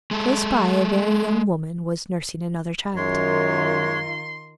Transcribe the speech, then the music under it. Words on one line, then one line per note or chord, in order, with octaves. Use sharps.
Close by a very young woman was nursing another child.
G#3 A4
F#2 D#3 G#3 F4 C#5 C6